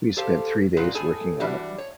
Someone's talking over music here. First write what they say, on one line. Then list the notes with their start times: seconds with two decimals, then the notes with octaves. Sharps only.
We spent three days working on it.
0.17 G4 A4 C5 F5
0.77 A#2 B3 C#4 F4 F#4
0.94 A2 G#4 A4 G#5
1.40 E3 G3 D4 F#4 G4
1.78 C#5